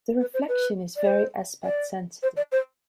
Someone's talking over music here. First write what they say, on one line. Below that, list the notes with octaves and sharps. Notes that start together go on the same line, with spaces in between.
The reflection is very aspect sensitive.
B4
C5
B4
D5
C5
D5
C5
D5
C5